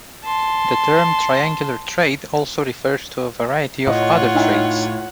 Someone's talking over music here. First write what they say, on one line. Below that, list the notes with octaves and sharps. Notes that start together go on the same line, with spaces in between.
The term "triangular trade" also refers to a variety of other trades.
A5 C6
A2 F4 C#5 D#5 F#5
D#4 E4 G5